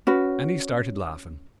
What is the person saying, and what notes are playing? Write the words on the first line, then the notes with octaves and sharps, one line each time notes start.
And he started laughing.
C#4 F#4 B4